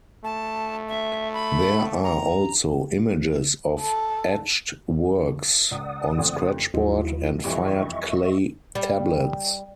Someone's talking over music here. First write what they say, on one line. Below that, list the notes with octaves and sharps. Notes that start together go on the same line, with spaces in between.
There are also images of etched works on scratchboard and fired clay tablets.
A3 A5
E5
B5
A#5
A4
C#2 D5 F#5 D#6
F#1 F2 A3
D#2 F3 F#3 E4 D#5
F2 E3 G3 D#5 E5 C#6
G3